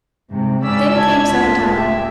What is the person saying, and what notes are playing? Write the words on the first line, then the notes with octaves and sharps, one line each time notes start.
Then came supper-time.
G#2 C3
G#2 C#3 C#4 D5 E6 B6
A5 G#6
C#2 A2 F4 A5 B6
G4 E5